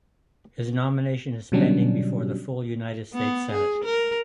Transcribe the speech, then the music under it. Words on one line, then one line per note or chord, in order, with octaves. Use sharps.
His nomination is pending before the full United States Senate.
B2 D3 F#3 G3 C#4 D4
B3
G#4
A#4